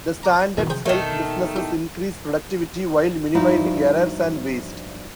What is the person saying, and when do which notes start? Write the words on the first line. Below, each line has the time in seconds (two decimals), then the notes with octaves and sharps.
The standards help businesses increase productivity while minimizing errors and waste.
0.23 A#5 D6
0.57 A#1 E2 G#2 B2 D#3 E3
0.70 C3 F3 F#3 G#4 C5 G5
0.86 B2 D#3 A3 A#3
1.56 E4 G4
3.35 G2 F3 D#4 E4 F#4 F5